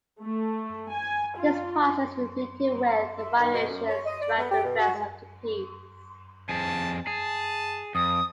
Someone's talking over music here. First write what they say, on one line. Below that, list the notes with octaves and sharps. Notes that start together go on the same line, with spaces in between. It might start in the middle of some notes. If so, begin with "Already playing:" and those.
This process is repeated with variations throughout the rest of the piece.
A3
G#5
F4
E5
D#3
B2
F#2
C#5
D#5
D5
B3
G4
B2
F#4
G#3
F2 G#4 A5
G#4 A5
F2 D#6